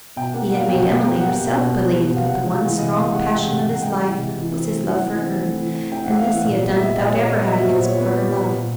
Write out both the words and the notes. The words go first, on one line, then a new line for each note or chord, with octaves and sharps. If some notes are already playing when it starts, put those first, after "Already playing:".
He had made Emily herself believe that the one strong passion of his life was his love for her, and this he had done without ever having asked for her love.
B2 G5
F#5
A#3
F#5
G3
F5
B2 G5
B2 F#5
A#3 G5
F#5
G3
G5
B2
B2
A#3
G3
B2
F5
C3 F#5
G#3
F5
E3
C3 D#5
C3 F5
G#3 F#5
E3 G5
F#5
C3
C3 F#5
G#3 G5
E3
C3
E3
C4
A3
E3 F#5
E3
C4
A3
E3
E3
C4 G5
F#5
A3 E5
F5
E3 F#5
A#2
B3
E5
G3
D#5
A#2 D5
C#5
A#2
D5
B3 D#5
G3 E5
A#2 C5
A#2 C#5
B3 B4
G3
A#2
A#2